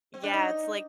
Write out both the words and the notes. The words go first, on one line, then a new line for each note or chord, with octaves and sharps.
Yeah, it's, like,
C4
D4
D#4